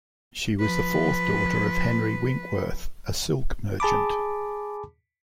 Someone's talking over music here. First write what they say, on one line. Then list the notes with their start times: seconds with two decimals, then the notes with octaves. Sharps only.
She was the fourth daughter of Henry Winkworth, a silk merchant.
0.60 F3 B4
3.80 G#4 A5 B5 D6